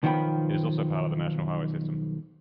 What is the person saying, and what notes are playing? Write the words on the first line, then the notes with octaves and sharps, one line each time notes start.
It is also part of the National Highway System.
B1 D#3 F3 B3 G5 B5